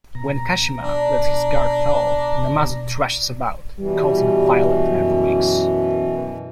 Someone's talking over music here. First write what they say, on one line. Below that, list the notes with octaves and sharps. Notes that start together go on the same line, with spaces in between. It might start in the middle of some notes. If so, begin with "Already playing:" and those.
When Kashima lets his guard fall, Namazu thrashes about, causing violent earthquakes.
B2 A#5
D4
B2 E3 G3
F#2